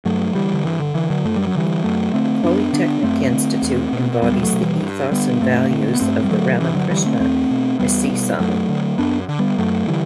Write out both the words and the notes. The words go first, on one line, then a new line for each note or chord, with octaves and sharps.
The Polytechnic institute embodies the ethos and values of the Ramakrishna Misison.
G2 F#3 A3
D3 E3 G3
D3
G2 E3
D3
D3 E3
D3 F#3
F#2 A3
G3
F#3
D3 E3 G3
F#2 F#3 A3
D3 A3 C4
F#2 B3 D4
D3 B3 D4
F#2 A3 C4
D3
E2
B2
E2 G3 B3
G3
F#3 A3
B2
E3 G3
G2
D3 G3 B3
G2 A3 C4
D3
B3
G2 A3 C4
G3
D3 F#3 A3
G2 E3
D3 F#3
D3 E3 G3
A3 C4
E2 A3 C4
B2
E2 G3 B3
B2
F#2 F#3 A3
D3
F#2 B3 D4
D3
G3 B3
F#2 F#3 A3
D3 E3 G3